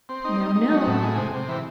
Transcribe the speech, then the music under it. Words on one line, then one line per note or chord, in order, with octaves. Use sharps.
No, no.
C4
D#4
D#4
D#4
F#3
A2
G#3
C3
C3
E3